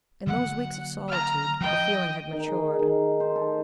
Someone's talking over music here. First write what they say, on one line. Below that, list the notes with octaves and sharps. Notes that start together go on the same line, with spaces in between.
In those weeks of solitude the feeling had matured.
D3 F#3 A#3 F#5
A#5 F6
F3 D#5 G5
D#3
G#4
D#3
C5
A4